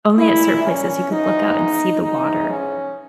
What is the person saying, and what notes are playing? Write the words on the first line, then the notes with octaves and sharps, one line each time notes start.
only at certain places- you could look out and see the water.
A#2 G#3 E4
C#4
G#2 E3 G#3 D#4
G#2 E3 G#3 D#4
C#4